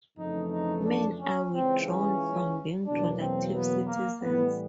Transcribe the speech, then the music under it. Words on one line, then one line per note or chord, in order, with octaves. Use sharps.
Men are withdrawn from being productive citizens.
F2 C#3 E3 A3 D#4
D#4
D4
C#4
C#2 C#3 E3 C4
C#4
E2 B2 F#3 A#3 D4
C4
B3
A#3
A2 E3 G3 B3